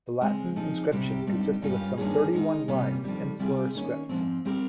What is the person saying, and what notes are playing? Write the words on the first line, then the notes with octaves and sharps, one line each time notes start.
The Latin inscription consisted of some thirty-one lines of insular script.
C#3 G#3 C4
F3 C4 D#4 G#4
C3 G3 C4 G4
G2 G3 C4 D#4 G4
G2 G3 C#4 F4 A#4
G2 D#3 A#3 C#4 G#4
D#3 G#3 D#4
C3 G3 A#3 C#4 F4
F2 D#3 G3 C4
C3 G3 C4 F4 G#4
D#3 A#3 C#4
G#2 F3 C4
G3 C4 G4 A#4